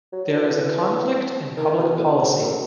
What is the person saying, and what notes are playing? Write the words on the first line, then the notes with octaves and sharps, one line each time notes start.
There is a conflict in public policy.
F#3
F#3
E3
D#3
B2
A2
G#2
F#2